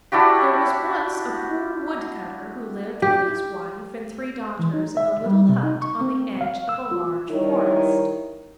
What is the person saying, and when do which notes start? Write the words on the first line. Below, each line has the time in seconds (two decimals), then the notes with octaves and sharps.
THERE was once a poor Woodcutter who lived with his Wife and three Daughters in a little hut on the edge of a large forest.
0.12 D4 E4 F#4 G4
3.02 G4
4.59 E3
4.74 D#4
4.97 E5
5.26 G3
5.49 C3
5.63 D#4
5.82 C#6
6.01 C4
6.41 F5
6.69 E6
6.91 F4
7.30 D#3 G3 D#4 E4 A#4 C#5